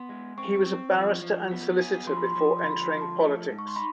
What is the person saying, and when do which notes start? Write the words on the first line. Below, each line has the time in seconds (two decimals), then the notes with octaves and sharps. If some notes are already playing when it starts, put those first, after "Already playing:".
He was a barrister and solicitor before entering politics.
Already playing: B3 C6
0.09 G#3
0.38 C4 C#6
0.66 C4
0.95 F3
1.22 F3
1.51 B3
1.79 G#4
2.07 F3 C6
2.17 B5
2.26 C6
2.36 F3
2.59 C6
2.63 D3 B5
2.82 C6
2.92 F3
3.01 A5
3.20 A3
3.49 G#2
3.59 C#6
3.68 C6
3.76 D#4 B5